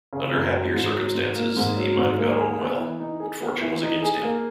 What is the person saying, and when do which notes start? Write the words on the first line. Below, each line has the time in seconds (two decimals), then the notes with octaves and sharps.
Under happier circumstances he might have got on well, but fortune was against him.
0.13 C#3
0.33 F#2
0.54 F#3
0.74 G#2
0.95 F#3
1.15 G#2
1.36 A#3
1.57 G#2
1.77 F#3
1.97 G#2
2.18 A#3
2.38 G#4
2.59 B3
2.79 E3
3.00 D#4
3.20 G#4
3.40 B3
3.61 E3
3.82 D#4
4.02 G#4
4.23 A#3